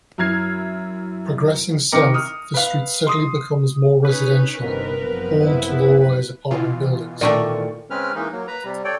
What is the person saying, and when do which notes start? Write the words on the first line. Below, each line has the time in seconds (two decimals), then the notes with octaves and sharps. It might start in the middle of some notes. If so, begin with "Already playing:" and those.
Progressing south, the street steadily becomes more residential, home to low rise apartment buildings.
0.18 F#2 E4 F6 G#6 C7
1.92 C3 D#3 A#4 A#5 D6 C#7
2.14 D#6 F6
2.54 B4 F5
3.07 C6 D#6
4.05 C#4 D#4 B4
4.59 G1 D#2 C3 B3 A#4
5.02 F#2 C3 F3 B3
5.45 E4
6.51 B2 E3 F4
7.21 A#2 D#3 A3 D5 G5 C#6
7.90 C#3 G#3 C4 C#4 B4 F6
8.15 E3 G#3 A#3 D#4
8.32 F#3 A#3
8.47 B4 A#5
8.65 C3 G3
8.85 A4 C#5 D5 G5